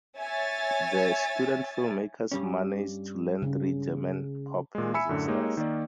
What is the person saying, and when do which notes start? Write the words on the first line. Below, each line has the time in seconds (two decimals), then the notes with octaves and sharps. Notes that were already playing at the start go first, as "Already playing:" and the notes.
The student filmmakers managed to land three German pop music stars.
0.17 C#5 E5 G#5 A6
2.32 G2 G3 C#4
3.42 C#3
4.75 A#2 G#3
4.94 E5 G#5 B5 E6 C#7
5.09 F#2 A2 D3
5.28 G#3 A#3 D#4 G4 C#5 D#5
5.57 D#3 A#3 D5